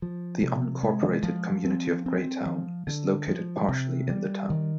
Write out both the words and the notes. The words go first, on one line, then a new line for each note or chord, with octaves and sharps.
The unincorporated community of Graytown is located partially in the town.
F3
C3
G#3
F3
C4
C4
F3
D3
F3
C3
G3
D#3